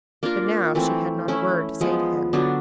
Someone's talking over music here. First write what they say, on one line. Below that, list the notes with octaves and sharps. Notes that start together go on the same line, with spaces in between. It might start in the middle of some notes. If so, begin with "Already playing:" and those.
But now she had not a word to say to him.
A#3 D4 F4 A#4
E3 A3 C4
A3 C#4 E4
F3 G#3 B3
D3 F#3 B3 D4